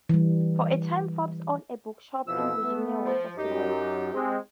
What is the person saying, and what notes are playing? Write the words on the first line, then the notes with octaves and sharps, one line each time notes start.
For a time Forbes owned a bookshop in Virginia Water, Surrey.
E3 G3
F2 B2 E3 F3 E6
A3 B3
F3
F#2 D#4 G4
G#3 C4